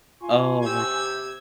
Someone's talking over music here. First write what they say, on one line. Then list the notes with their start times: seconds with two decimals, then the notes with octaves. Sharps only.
Oh we're g
0.22 F4 G#5 C6 C#6
0.61 C3 G4 E6 G#6